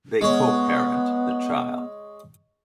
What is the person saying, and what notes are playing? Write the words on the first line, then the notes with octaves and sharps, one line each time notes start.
They co-parent the child.
G#3 B3 C#5